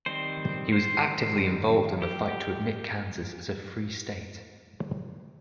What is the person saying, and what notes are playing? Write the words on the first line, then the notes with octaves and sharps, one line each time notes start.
He was actively involved in the fight to admit Kansas as a free state.
D#3 G3 C4 C5
C5
G4